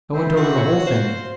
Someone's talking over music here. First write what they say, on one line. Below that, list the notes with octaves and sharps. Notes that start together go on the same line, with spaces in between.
I went over the whole thing.
C4 E4 C5
F#4
C#5
C5 F5 C6